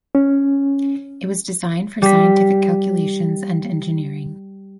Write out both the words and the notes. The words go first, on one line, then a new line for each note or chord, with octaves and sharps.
It was designed for scientific calculations and engineering.
C#4
G3 B6